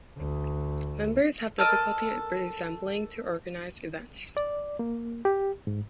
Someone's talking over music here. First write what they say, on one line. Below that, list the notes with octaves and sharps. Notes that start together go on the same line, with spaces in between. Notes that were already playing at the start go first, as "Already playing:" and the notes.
Members have difficulty resembling to organize events.
D2
A4 A#4 D#5
D5
A#3
G4
G#2